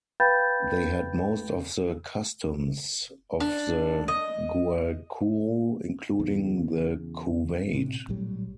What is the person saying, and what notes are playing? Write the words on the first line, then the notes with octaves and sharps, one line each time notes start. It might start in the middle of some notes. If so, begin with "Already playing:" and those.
They had most of the customs of the Guaycuru, including the couvade.
B4 F5 G5 B5 G6 A6
D4
D#5
E2 C#3
A2 C3 C4
A#1 A2 F#3 G3